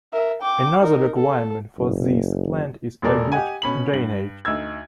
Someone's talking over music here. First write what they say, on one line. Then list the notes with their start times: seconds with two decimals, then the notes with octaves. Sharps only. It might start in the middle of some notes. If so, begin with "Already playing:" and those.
Another requirement for this plant is a good drainage.
0.13 A#4 E5
0.42 G5 D6
0.82 D#4 A#4
1.16 A4
1.78 F#1
3.02 E1 A#2 G#3 A4 A#4 D5
3.32 G4 D#5 F#5 G#5
3.62 B2 C#4 B5 F#7
3.93 G2 F#7
4.45 D2 D#4 E6 G#6